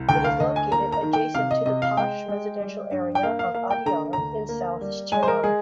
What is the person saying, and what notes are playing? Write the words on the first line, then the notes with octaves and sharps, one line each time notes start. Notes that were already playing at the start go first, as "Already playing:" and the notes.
It is located adjacent to the posh residential area of Adyar in South Chennai.
Already playing: C2
D2 G5
F5
D2 D#5
G#5
A#3 A#5
A#5
D#3
G5
C3 F5
D#5
C3 D#5
F5
G#3 G5
G#3
G3
G2
G5
A#3 F5
F5
A#3 F5
G5
D3 A#5
D2 A#5
A#3
G3
G#3 G#5
C5
A#4
G#3 G#4